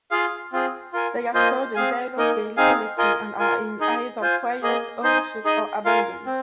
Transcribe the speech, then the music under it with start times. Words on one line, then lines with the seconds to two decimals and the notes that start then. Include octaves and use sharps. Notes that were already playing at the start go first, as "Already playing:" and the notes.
They are stored in Taylorsville Tennessee and are in either Private ownership or abandoned.
0.11 F4 G#4 F5
0.52 C4 F4 G#4
0.93 F4 A#4 G#5
1.34 A#3 F4 C5 D#5 G#5
1.74 C4 G#4 F5 G#5
2.17 A#3 D#4 A#4 D#5 G#5
2.57 C4 D#4 G#4 F5 G#5
2.98 F4 A#4 D#5 G#5
3.39 F4 A#4 G#5
3.80 D#4 G#4 D#5 G#5
4.21 F4 C5 G#5
4.62 A#3 G#4 D#5 G#5
5.03 D#4 C5 D#5 G#5
5.45 D#4 G#4 D#5 G#5
5.85 F4 A#4 F5 G#5
6.26 C4